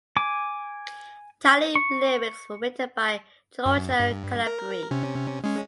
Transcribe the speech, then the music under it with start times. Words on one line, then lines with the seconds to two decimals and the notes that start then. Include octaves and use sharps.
Italian lyrics were written by Giorgio Calabrese.
0.17 G#5 D6
1.75 C#6
3.66 F#2
4.00 G2
4.47 A#4
4.91 C3 C#4
5.44 G#3 C#4